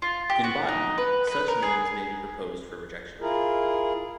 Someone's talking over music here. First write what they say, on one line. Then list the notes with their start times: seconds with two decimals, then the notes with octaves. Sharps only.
In botany, such names may be proposed for rejection.
0.02 F4
0.30 G4
0.44 F#4
0.68 D#4
0.98 B4
1.27 B4
1.48 A#4
1.63 G#4
3.21 E4 F4 G#4 A#4